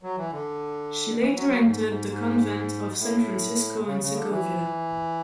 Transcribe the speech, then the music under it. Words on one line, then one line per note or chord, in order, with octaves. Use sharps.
She later entered the convent of San Francisco in Segovia.
F#3
E3
D3
E3
F#3
F#3
G#2
G#2
G#2
A2
C#3
C#3
D3
E3